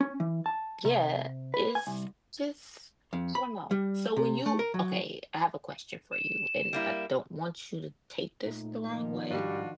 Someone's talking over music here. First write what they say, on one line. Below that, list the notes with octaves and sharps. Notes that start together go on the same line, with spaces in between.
yeah, it's just so no. So, when you okay, I have a question for you, and I don't want you to take this the wrong way.
C#4
E3
A5
C3
B4
G#5
C2
F2
B5
G3
C3
A3
A#4
F#3
E7
G3 A#3 E4
A#2 A3 D#4
D#3 F3
G#2 G3 D4 F4 F#4